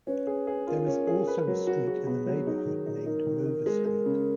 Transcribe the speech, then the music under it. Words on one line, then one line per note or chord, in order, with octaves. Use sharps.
There is also a street in the neighborhood named Mova Street.
C#4 B4
G#4
G#4
F4 A#4
C#4
G#4
B4
F#3
F#4
F#4 G#4
B3
F#3
D#4
D#3
D#4
D#4 A#4
D#3
D#4
G#3
G#3
C#3